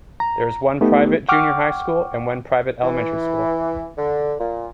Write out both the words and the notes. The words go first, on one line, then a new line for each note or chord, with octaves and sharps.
There is one private junior high school and one private elementary school.
A#5
A3 B3 D#4 G4
F#5 G5 C#6 D6 F6
E3
D3
A#2